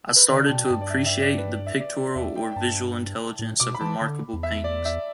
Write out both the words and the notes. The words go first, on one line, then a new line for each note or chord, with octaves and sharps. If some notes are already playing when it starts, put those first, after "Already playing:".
I started to appreciate the pictorial or visual intelligence of remarkable paintings.
B4
D3 D5
A5
B2 G5
G5
G2 A5
D5
E5
E5
D5
B4
D5
E5
D5
E2 E5
G5
G5
G2 A5
A2
B2 D6
B5
E3 A5
D3
E2
E5
D5
E5